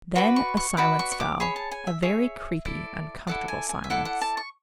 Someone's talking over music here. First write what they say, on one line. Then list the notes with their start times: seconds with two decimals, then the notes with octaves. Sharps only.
Then a silence fell . . . a very creepy, uncomfortable silence.
0.15 F#4 B4 D5 B5
0.36 C#6
0.57 C#6
0.77 F#4 B4 D5 B5
0.99 C#6
1.12 C#6
1.20 D6
1.40 G#4 C#5 B5
1.56 A5
1.71 G#5
1.87 E5
2.02 G#4 C#5 E5
2.65 E4 A4 D5
3.27 E4 A4 D5 F#5
3.48 G#5
3.69 G#5
3.84 E5
3.90 E4 A4 D5 F#5
4.05 F#5
4.21 A5
4.37 C#6